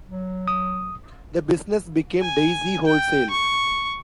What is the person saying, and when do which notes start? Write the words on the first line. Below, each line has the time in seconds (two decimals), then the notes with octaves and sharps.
The business became Daisy Wholesale.
0.09 F#3
0.48 D#6
2.21 G#5
2.86 G5
3.30 C#6